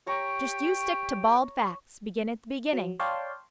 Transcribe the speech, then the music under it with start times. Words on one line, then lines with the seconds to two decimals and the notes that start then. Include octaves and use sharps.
Just you stick to bald facts. Begin at the beginning.
0.06 G4 C#5 A#5 C#6
2.73 F#3
3.00 C#5 D5 F5 G5 A5 C6